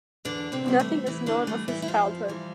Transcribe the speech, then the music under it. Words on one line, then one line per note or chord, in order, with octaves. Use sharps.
Nothing is known of his childhood.
E2 D3 D4
C3 C4
E3 G3
A3
E2 E3 E4
D3 D4
E3 G3 A3
E3 E4
E4
F2 F3 F4
E3 G3